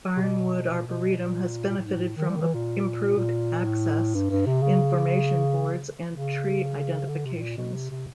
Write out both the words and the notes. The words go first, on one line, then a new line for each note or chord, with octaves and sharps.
Barnwood arboretum has benefited from improved access, information boards and tree identifications.
C3
B2
B2
A#2
B2
A#2
A#2
A2
G#2
A2
D#3
G3
D#3
E3
A#2
A#2
A2
G2
G2
C3
C#3
C#3
D3
C3
A2
A#2
B2
C3
C3